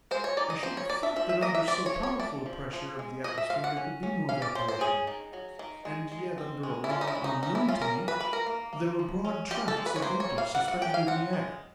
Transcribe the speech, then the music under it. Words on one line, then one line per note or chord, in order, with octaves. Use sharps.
I should have thought that under so powerful a pressure of the atmosphere there could be no evaporation; and yet, under a law unknown to me, there were broad tracts of vapour suspended in the air.
G#3 C5
C#5
D#4 D5
D#5
F3 C5
C#5
A#3 D5
E5
F3 E5
E5
A#3 D#5
E5
C4 D5
C#5
F3
C#5
A3 D5
F3
F3
G#3
F3 D#5
E5
F3 F5
F#5
C#4
C#4
C#4 F5
D5
C#4 C5
C5
C#4 G#4
D#3
F#3
D#3
G#3
G#3
C4
G#3
E4
C#4 F4
D#4
E4
G#3
D#4
C#4 D#4
E4
C#4 F4
A#4
G3
B4
D#3 B4
A#4
A#3
A#3
F3
C#4
G#3 G4
A4
G#3
B4
C#5
A#3 C5
C#5
G3
F5
G3 F#5
F#5
C#4 G5
F5
C4 F#5
G#3